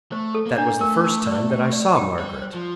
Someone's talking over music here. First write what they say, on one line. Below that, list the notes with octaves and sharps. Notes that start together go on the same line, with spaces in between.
That was the first time that I saw Margaret.
A3 C5
A4
A#3
D4
A3 A#4
A#4
D5
G5
D5
G5
G3 C5
C5
F3